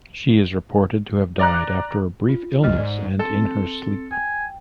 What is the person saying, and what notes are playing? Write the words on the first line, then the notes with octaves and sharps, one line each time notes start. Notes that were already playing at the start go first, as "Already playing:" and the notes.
She is reported to have died after a brief illness and in her sleep.
D5 A#5 F#6
F4
C#2 G3 D#5 F6
G#2 D5
C4 A4
G5 G#5